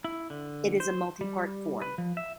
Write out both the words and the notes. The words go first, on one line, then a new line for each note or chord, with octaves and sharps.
It is a multipart form.
E4
D3
C5
G3
B4
F3
E5